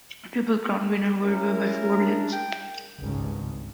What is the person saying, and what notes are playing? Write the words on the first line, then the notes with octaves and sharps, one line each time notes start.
Triple Crown winner Whirlaway by four lengths.
C#4 E4 A#4
D4
G5
G#1 C#2 G2 C#3